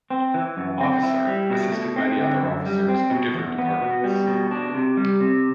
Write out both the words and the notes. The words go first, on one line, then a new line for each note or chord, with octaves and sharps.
Officer, assisted by the other officers of different departments.
C4
E3
F#2
C4
E4
G3
B2
A3
C4
D3
F#2
G3
C4
B2
E2
B3
B2
G3
B2
D4
C3
G3
C3